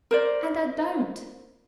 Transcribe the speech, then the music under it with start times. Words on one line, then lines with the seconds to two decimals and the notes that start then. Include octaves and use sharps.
And I don't.
0.11 A#4 C5 D5